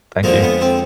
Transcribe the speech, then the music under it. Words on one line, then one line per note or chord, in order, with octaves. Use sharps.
Thank you.
F2 D3 F3 G#3 A#3
B3
C4